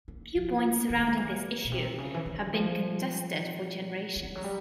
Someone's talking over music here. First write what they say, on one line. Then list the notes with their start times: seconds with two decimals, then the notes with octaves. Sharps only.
Viewpoints surrounding this issue have been contested for generations.
0.08 A#3
0.35 F3
0.90 D#3
1.17 E3
1.64 B2
1.72 C3
1.98 C#3
2.14 E3
2.26 D#3
2.53 F3
4.16 E3
4.35 F#3
4.44 G3